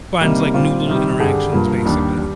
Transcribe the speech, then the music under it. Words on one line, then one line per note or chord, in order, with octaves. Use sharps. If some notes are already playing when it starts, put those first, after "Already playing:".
finds, like, new little interactions, basically.
C3 G3 A#3 D#4
A#2 G3 C4 F4
C3 D#3 G3
G2 D3 G3 D4 G#4
G2 F3 A#3
D#2 D#3 G3 D4
G3